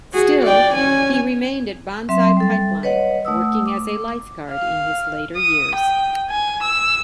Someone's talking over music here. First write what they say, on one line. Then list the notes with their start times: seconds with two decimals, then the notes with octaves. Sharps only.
Still, he remained at Banzai Pipeline, working as a lifeguard in his later years.
0.13 F#4 G#4
0.43 D5 G5
0.75 C#4 G#5
2.09 F#3 C4 E5 C6
2.37 G3 A4
2.83 B4 C#5 D#5 F#5
3.25 A3 F#5 D#6 E6
3.66 D6
4.51 F5
5.36 D#6
5.75 G5
6.30 G#5
6.63 E6